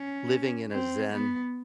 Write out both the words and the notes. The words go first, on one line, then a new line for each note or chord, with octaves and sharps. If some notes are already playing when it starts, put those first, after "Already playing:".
living in a Zen
Already playing: C#4
C4
B3